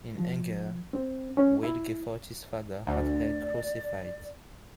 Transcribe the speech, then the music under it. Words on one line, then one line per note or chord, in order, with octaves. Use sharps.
In anger, Wilgefortis's father had her crucified.
F3
C4
C#4
E4
D2 D5